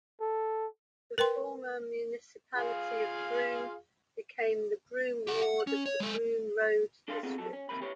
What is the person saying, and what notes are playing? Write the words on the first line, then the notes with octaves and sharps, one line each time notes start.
The former Municipality of Broome became the Broome ward of the Broome Road District.
A4
A#4 B4 G5 C6
F4 G#4 F5
G4 F#5
F#5
C#4
C#5
G#3 A4
D4 A4 A#4 F5 G5 C6
B3 C4 F4 G#4 A4
F2 F#3 A4
C#4
D#2 C3 E3 A#4 C5 B5
G4 B4 C#5